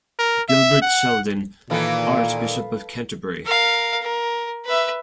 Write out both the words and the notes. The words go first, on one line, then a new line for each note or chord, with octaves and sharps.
Gilbert Sheldon, Archbishop of Canterbury.
A#4
E5
F#5
A#2 D#3 E3 A#3 A4 B4 F5
A#4 F5
A#4
B4 E5